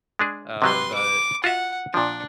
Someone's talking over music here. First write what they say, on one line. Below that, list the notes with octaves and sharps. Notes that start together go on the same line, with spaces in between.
um, but
G#3 D4 G#4
C3 F#3 G3 B4 C6
D6
F4 F#4 E5 F#5
A#2 F3 D4